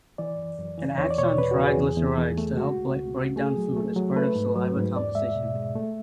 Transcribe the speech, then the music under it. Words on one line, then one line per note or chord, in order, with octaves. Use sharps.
It acts on tryglicerides to help breakdown food as a part of saliva composition.
E3 D5
F#2
F#2
E3
E2 C#5
D5
B2 C#5
E2 B4
F#4
E2
G#4
E2
E2
E2
A3
G#3 F#4
C#2
C#2
C#2
A3 G#4
F#3
A3
F#3
A3 B4
G#2
F#3
G#2
E2 D5
G#3 E5
B2
G#3
A3